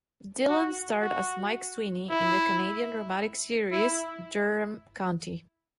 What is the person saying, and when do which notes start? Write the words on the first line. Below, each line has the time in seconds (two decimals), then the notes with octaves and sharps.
Dillon starred as Mike Sweeney in the Canadian dramatic series "Durham County".
0.48 F#4
1.02 F#4
2.10 E4
3.72 E4